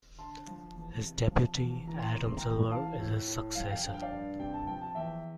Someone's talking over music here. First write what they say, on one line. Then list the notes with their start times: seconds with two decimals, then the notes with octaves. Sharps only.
His deputy, Adam Silver, is his successor.
0.18 D3 A5 C6
0.47 F3
0.75 E2
1.03 C3
1.31 F3
1.59 E2
1.87 E3 A#5
1.99 C6
2.12 E2 A#5
2.25 C6
2.37 G5 A#5
2.43 E2
2.71 E3 F5 A5
2.99 A2
3.28 A2
3.55 F3 F5
3.63 G5
3.71 F5
3.79 G5
3.84 G2 F5
3.94 G5
4.02 D5 F5
4.12 G2
4.39 C3 G5
4.54 A5
4.67 F3 G5
4.81 A5
4.95 E2 E5 G5